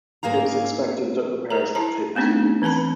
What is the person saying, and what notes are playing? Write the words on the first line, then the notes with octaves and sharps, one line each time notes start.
It was expected that repairs could take two weeks.
G#2 A#3 G#4 F5 A#5
A#4 A#5
E4 A5 A#5
A3 B3 C4 D4 D#4
E3 C4 B4 A5 B5